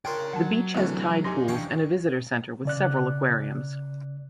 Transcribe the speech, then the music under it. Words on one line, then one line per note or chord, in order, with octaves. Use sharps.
The beach has tide pools and a visitor center with several aquariums.
D4 F4 G#4 A#4 C#5 G5
F#3 F#5 A5
C2 D3 E3 A3 C4 C#4 F#4
F#2 D#4 G4 G#5 C6 A#6
E3 D4 F5 G5 C#6
C#3 D5 F#6